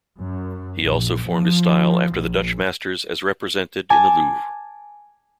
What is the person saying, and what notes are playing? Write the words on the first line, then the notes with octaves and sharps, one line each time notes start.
He also formed his style after the Dutch masters as represented in the Louvre.
F#2
A#1
F3
A#1
G#5 A5 D6